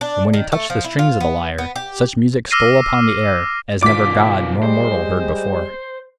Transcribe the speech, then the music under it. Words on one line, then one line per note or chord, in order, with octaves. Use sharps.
And when he touched the strings of the lyre, such music stole upon the air as never god nor mortal heard before.
D4
D#3
A3
F3
E4
F4
B3
B3
G4
D6 E6 F6 A#6 C7 D#7
B2 D#3 F#3 F4 D5 D6 B6
G3 G#3 C5